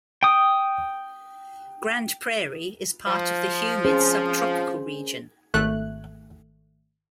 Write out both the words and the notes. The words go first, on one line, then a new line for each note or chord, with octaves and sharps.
Grand Prairie is part of the humid subtropical region.
G5 D#6
F3
C#4 G#4 C5
G#1 A3 F#6